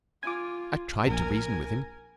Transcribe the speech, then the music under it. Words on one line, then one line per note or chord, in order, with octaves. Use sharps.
I tried to reason with him.
F4 G#5 D6
A#1 A#4 G#5